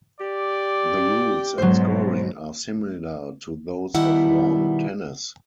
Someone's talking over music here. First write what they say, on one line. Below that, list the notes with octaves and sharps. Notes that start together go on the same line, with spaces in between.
The rules and scoring are similar to those of lawn tennis.
G4 D5
G#2 B2 F#3 C5
B2 D#3 G3 B3 E4 F#5